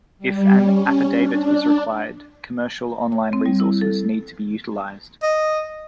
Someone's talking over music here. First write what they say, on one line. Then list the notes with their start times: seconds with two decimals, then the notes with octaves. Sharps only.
If an affidavit is required, commercial on-line resources need to be utilized.
0.19 G3
0.59 C#4
1.16 D4
3.12 C#5
3.33 C4
3.46 G3
3.60 E4
3.81 A4
5.23 D#5